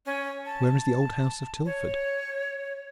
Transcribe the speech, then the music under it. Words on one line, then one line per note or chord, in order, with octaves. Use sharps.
Where is the old house of Tilford?
C#4
A5
C#5